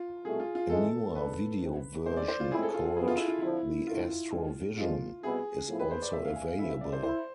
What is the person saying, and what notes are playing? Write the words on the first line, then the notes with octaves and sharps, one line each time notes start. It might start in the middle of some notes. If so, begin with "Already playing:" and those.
A newer video version, called the Astrovision, is also available.
Already playing: F4
C2 B2 A3 G#4
F4
F4
F2 E3 G#3 A4
A2 G#3 D4 B4
A2 G#3 C4
F2 C3 G#3 C4 C5
D5
C5
F4
A2 G#3 C4 E4 G#4
A4
F4
F4
E2 C3 E3 B3 G#4
F4
E4
F4
F2 D3 F3 E4
D2 D3 A3 D4 F4
E2 D3 G#3 B3 D4
F2 D3 F3 G#3 F4
C2 B2 B3 E4 G#4
A2 F3 B3 E4
B4
C5
D5
E2 C3 F3 E5
F5
G#5
F5
D2 C3 E3 A3 E4 E5
E5
D5
C5
E4 C5